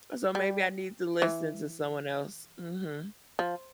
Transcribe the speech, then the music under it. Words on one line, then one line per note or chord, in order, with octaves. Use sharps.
So, maybe I need to listen to someone else Mhm.
G3
E3
F3